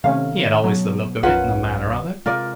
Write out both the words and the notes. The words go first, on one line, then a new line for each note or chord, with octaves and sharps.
'He had always the look of it, and the manner of it.'
C3 D#3 A3 C#4 F5
B2 F#3
B1 F#2 C#4 F4 A#4 B4 F#5
C3 G#3 F4 A#4 D5